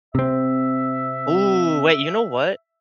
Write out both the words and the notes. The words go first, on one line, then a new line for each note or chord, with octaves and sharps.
Ooh, wait, you know what,
C3 C4 E5